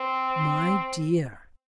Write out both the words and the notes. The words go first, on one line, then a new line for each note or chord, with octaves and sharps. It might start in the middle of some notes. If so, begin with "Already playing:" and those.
"My dear!"
Already playing: C4